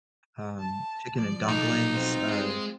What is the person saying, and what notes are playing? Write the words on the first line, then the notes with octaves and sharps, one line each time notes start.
um, chicken and dumplings. Uh,
A5
F3 D5
B1 D#4
C4 F4
G#3